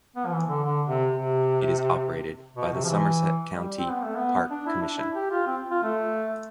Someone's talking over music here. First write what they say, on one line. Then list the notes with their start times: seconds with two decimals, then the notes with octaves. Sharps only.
It is operated by the Somerset County Park Commission.
0.16 B3
0.26 F3
0.32 E3
0.48 D3
0.64 D3
0.88 C3
1.12 C3
2.57 B2
2.73 C3
2.84 F3
2.89 E3
3.54 G3
3.78 C4
3.91 B3
4.03 A3
4.16 B3
4.50 D4
4.66 E4
4.82 D4
4.98 E4
5.15 G4
5.31 F4
5.47 C4
5.71 F4
5.83 A3